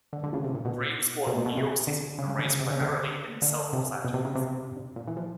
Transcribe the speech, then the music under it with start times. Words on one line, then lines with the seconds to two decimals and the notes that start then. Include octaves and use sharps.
Gray was born in New York City and raised primarily in South Los Angeles.
0.13 D3
0.24 D3
0.34 C#3
0.44 C3
0.54 A#2
0.65 B2
1.27 B2
1.37 A#2
1.46 B2
1.57 C3
1.87 D3
2.18 C#3
2.30 C#3
2.39 D3
2.50 C#3
2.61 C3
2.71 C#3
2.81 D3
3.42 D3
3.73 C3
4.05 B2
4.14 C3
4.25 C#3
4.35 C3
4.96 A#2
5.08 E3
5.17 F3